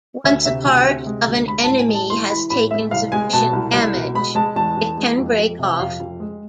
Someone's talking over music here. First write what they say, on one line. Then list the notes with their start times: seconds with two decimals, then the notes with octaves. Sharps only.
Once a part of an enemy has taken sufficient damage, it can break off.
0.24 D2 E5
0.45 C3 E5
0.66 D2 G#5
0.86 C3
1.06 G#3
1.27 D2
1.48 G#3 B5
1.64 A5
1.68 A2
1.78 G#5
1.89 G#3
1.94 A5
2.10 E3 C6
2.30 E3 B5
2.50 A2 B5
2.71 G#3 E5
2.91 C2 F5
3.12 G#3 G#5
3.33 B2 A5
3.53 C2
3.73 C2
3.94 B2
4.14 G#3 B5
4.35 G#3 A5
4.56 E2 A5
4.77 E2
4.98 G#3
5.18 F2
5.38 F2
5.59 C3
5.80 F2 F5
6.00 F2
6.20 G#3